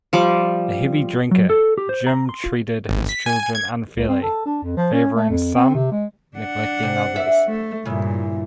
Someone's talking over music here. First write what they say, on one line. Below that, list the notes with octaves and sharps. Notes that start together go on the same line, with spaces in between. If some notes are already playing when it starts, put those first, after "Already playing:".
A heavy drinker, Jim treated his children unfairly, favouring some, neglecting others.
F3 G3 D6
F#3
A4
G4
C5
A#5
C6
F4
G#1
B6
G#5
G#6
C#2
C4
A4
D4
F2
F3
C#4
A3
F2
C4
C3
G#3
D4 F#5
C3
E5
A3
G2 A#2 C#3 E3